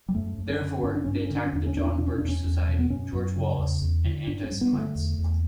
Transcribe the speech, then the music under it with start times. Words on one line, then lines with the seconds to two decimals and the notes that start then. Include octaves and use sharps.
Therefore, they attacked the John Birch Society, George Wallace, and anti-Semites.
0.09 G3
0.15 F#2 A3
0.38 F#2
0.50 C#4
0.61 D3
0.83 G2 C#4
0.95 D4
1.04 G2 C#4
1.15 D4
1.25 C#4
1.30 D3
1.35 D4
1.46 C#4
1.53 E2 D4
1.66 C#4
1.75 E2 D4
1.87 C#4
1.98 B2 D4
2.07 C#4
2.18 E2 D4
2.29 C#4
2.44 E2
2.67 B2
2.79 B3
2.90 F#2 C#4
3.13 F#2
3.35 C#3
3.59 E2
3.81 E2
4.04 D3
4.27 G2 D4
4.44 C#4
4.50 G2
4.61 B3
4.72 D3
4.78 A3
4.95 E2
5.18 E2